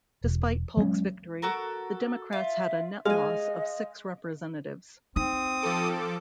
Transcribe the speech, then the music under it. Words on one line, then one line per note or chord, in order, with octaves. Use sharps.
Despite Polk's victory, the Democrats had a net loss of six Representatives.
E1
F#3 G#3 A#3 C#4
F#4 A4 A#4
F4 E5
G#3 D#5 F5 G#5
C4 D#4 D#6
F3 A4 D6